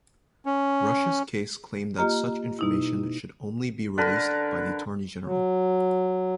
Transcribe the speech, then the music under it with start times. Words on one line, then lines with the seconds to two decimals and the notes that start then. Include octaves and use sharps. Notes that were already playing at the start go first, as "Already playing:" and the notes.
Rush's case claimed that such information should only be released by the Attorney-General.
0.46 C#4
1.98 A#3 F4 G4 D#5 A#5 F6
2.59 B2 D#4 E4
3.98 D3 A#4 B4 A5
5.23 F#3